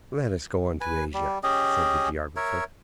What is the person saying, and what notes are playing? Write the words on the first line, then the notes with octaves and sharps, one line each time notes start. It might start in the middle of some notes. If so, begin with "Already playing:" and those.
"Let us go on to Asia," said the geographer.
B4 G#5
G3
C#4 G4 G#4 D#5
A#4 C#5 E5